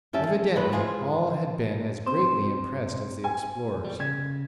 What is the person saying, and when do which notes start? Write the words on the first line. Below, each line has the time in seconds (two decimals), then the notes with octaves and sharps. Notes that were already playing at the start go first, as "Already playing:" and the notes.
Evidently all had been as greatly impressed as the explorers.
0.13 F#2 C#4 G4 E5 A5
0.27 G#4
0.55 D2 D#3 G3 G#3 E4 B4
0.73 G2 F3 G#3 F4 G#4
2.07 C3 C5
3.24 G#5
3.85 G3
4.00 C#3 G#6